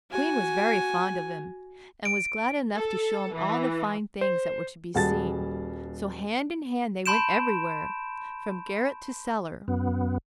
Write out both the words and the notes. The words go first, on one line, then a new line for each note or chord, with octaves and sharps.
The queen was very fond of him, and was glad enough to show him all the fine things that were to be seen; so hand in hand they went everywhere, from garret to cellar.
F#4 G#5
D7
A4
E3
C5
D#1 G3 F#4 G#4 A5 A6
A5 B5 C6 G6 D7 E7
F#2 B3